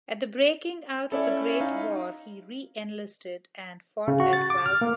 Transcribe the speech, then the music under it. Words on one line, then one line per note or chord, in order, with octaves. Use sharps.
At the breaking out of the great war he re-enlisted and fought at Valmy.
C#4 E4 A4 D5 E5
D#4 F5
C#3
F#4
A6
D6
F6
A#3